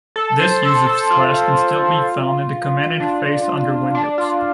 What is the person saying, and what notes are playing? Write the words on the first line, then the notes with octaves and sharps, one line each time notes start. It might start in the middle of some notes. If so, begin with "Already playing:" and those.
This use of slash can still be found in the command interface under Windows.
A4
C5
A4
A4
F4
D4
D4
F4